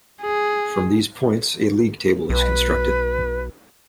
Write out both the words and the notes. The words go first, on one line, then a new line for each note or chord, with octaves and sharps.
From these points a league table is constructed.
G#4
B1 B4